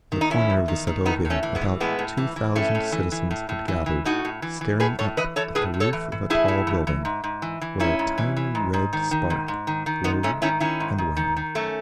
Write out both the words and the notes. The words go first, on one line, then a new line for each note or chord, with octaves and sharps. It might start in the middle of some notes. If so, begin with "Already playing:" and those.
On the corner of the Sadovaya about two thousand citizens had gathered, staring up at the roof of a tall building, where a tiny red spark glowed and waned.
D#3
D#4
E2 C#4 E4
E2
D#3
D#3
A2 B3 D#4
A2
A3 C#4
E3
G#3 B3
E3
A2 G#3 B3
A2
E3
E3
A2 A3 C#4
A2
E3
E3
A2
A2
E3
E3
A2 D#4 F#4
A2
E3
E3
A2 G#4 B4
A2 A4 C#5
E3 B4 D#5
E3 A4 C#5
A2 G#4 B4
A2
A4 C#5
E3
E3
A2 E4 G#4
A2
E3
E3
G#2
G#2
E3
E3
G#2 C#4 E4
G#2
E3
E3
G#2
G#2
D#3
D#3
G#2
G#2
D#3
D#3
G#2 B3 D#4
G#2 A3 C#4
D#3 C#4 E4
D#3 C#4 E4
G#2
G#2
D#3
D#3
F#2 A3 C#4